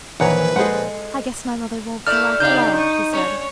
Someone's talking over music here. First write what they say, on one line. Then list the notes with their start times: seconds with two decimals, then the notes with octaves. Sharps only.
"I guess my mother won't go, after all," she said.
0.20 A#1 D#3 E3 B4 C#5 F#5 A#5
0.56 G#3 G#4 A4 C5 D#5 F#5
2.07 A3 E4 A4 D5 F6
2.40 C#3 D4 D#4 G4 F5 G6
2.75 C#6 D#6
3.13 C#4 D4 C#5